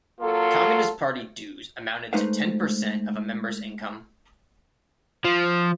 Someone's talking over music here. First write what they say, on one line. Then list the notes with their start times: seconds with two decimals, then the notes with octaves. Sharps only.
Communist Party dues amounted to ten percent of a member's income.
0.21 F#3 A#3 F4 A4
2.13 G#3 A3 D#4 B4 C5 F5
5.25 F3